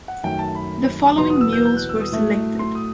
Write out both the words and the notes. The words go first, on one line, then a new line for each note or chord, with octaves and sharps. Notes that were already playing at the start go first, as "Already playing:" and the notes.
The following Mules were selected.
F#5
F#2 D#3 F#3 A3 G5
A5
B5
E2 B2 F#3 B3 C6
D#6
E6
G6
G6
F#6
E6
D#6
A2 F#3 A3
C6
D#6